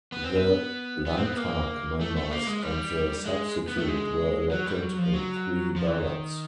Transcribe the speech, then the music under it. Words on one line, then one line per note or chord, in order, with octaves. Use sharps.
The Landtag members and the substitute were elected in three ballots.
B3
C4
B3
B3
C4
B3
A#3
A3
A3
A#3
G#3
G3
G#3
B3
A3
G#3
F#3
G3
F#3
F3
F#3
F3
E3
D#3